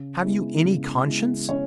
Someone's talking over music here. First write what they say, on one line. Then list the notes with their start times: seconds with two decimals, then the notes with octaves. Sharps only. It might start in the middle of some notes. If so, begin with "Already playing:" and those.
Have you any conscience?
Already playing: C#3
0.23 G#3 B3 E4
0.65 C#3
1.07 G#3 B3 E4
1.49 C#3 C#4 C#5